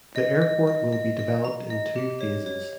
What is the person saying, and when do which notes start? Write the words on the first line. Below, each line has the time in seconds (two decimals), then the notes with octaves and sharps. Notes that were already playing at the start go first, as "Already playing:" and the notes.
The airport will be developed in two phases.
0.16 D#5
0.42 D#5
0.67 D#5
0.92 D#5
1.19 D#5
1.45 A#5
1.70 D#5
1.96 G4
2.21 C#5
2.46 C#5